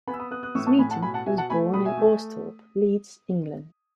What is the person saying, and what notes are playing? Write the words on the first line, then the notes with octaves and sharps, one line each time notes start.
Smeaton was born in Austhorpe, Leeds, England.
B3 G#5 B5
E6
B5 D#6
B3 D#6 F#6
D#6 F#6
A2 C#6 E6
A5 C#6
A2 G#5 B5
F#5 A5
B2 G#5 B5
F#5 A5
B2 E5 G#5
F#5 A5
A3 G#5 B5
B2 B5 D#6
E5 G#5
A3